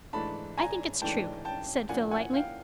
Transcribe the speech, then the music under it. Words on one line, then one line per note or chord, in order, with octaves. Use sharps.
"I think it's true," said Phil lightly.
G#2 E3 A3 D4 A5 B5
G#5 A#5
G#2 E3 A3 D4 G5 A5
G5 A5
A2 F3 A#3 D4 F#5 G#5
F#5 G#5
F5 G5